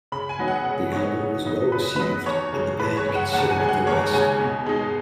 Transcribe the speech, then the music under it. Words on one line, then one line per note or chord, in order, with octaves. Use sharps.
The album was well received and the band considered it their best.
C#3 B5
G#5
F#3 B3 D#4
F#5
C#3 F#5
F#3 B3 D#4 C#5
C#3
F#3 B3 D#4
C#3 B4
F#3 B3 D#4 B4
D#2 C#5
C#3 G#3
D#2 B4
C#5
C#3 G#3
F#5
D#2 F#5
G#5
C#3 G#3
F#5
D#2 C#5
C#3 G#3 G#5
B2
G#3 D#4